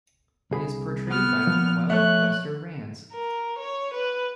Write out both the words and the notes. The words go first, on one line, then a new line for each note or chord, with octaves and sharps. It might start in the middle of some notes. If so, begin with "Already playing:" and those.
He is portrayed by Noel Lester Rands.
C2 G#4 B5
B3 F6
F3
A3 C#5 F#6
A#4
C#5
B4